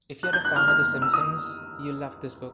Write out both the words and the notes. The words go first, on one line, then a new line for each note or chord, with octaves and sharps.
If you're a fan of "The Simpsons", you'll love this book.
F#6
G6
F#6
F6
F6
E6
D#6